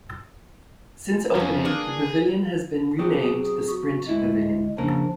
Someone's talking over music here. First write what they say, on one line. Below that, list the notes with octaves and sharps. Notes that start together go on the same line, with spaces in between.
Since opening the Pavilion has been renamed the Sprint Pavilion.
F2 F3 A#3 C#4
A#3 D4 G#4 B4
F#3 C4 G4 G#4
F#4
D2 G#3 E4
C#3 F3 A#3 D4 A#4